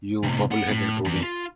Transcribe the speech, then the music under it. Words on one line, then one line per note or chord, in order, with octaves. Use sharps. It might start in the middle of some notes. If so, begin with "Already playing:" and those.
You Bubble-headed Booby!
A2 C3
C4 F#5
A2
E2
F4